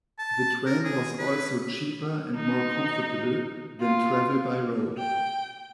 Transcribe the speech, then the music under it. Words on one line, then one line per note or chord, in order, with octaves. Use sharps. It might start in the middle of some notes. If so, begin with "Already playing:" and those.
The train was also cheaper and more comfortable than travel by road.
A5
A#4
G#4
B4
D#4
F4
G5